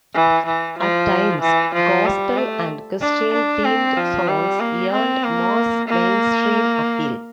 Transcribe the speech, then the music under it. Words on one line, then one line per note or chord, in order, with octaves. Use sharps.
At times, gospel and Christian-themed songs earned mass mainstream appeal.
E3
E3
F3
E3
F3
G3
A3
D4
D4
C4
F3
G3
A#3
C4
A#3
A#3